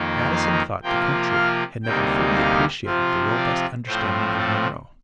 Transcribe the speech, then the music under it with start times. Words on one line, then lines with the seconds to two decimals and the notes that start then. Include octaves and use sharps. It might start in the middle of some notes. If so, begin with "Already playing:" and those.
Madison thought the country had never fully appreciated the robust understanding of Monroe.
Already playing: F2 D#3 A#3 D#4
0.32 F5
0.83 C3 F3 A#3 F4 G5
1.33 F5
1.83 D2 C3 G3 A#3 D#4 G5
2.34 F5
2.85 C3 F3 C4 F4
3.36 D5
3.86 A2 F3 C4 C5
4.37 A4